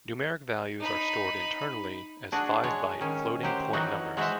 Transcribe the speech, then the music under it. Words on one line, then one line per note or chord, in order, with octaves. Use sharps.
Numeric values are stored internally as five-byte floating point numbers.
D#4 B5
D4 F#4 G#4
G#3 C#5
D#3 C#4
F#3 G4 C5
E3 F#3 D#4 F#4
G#3 F#4 C5 E5